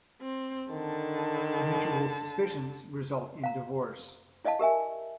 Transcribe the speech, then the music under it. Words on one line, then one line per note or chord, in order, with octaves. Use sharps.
Mutual suspicions result in divorce.
C4
D3 D#3 A5
F5 A#5
E4 D5 D#5 F5 A5
G4 A#4 E5 G#5